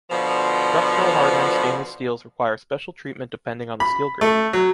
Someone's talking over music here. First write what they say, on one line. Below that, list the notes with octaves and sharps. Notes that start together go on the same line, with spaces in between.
Structural hardening stainless steels require special treatment depending on the steel grade.
B2 D3 F3
B5
A3
F#3